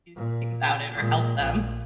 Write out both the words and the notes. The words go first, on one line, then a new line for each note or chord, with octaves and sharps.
do something about it or help them.
A#2
A#2 G#3
A#1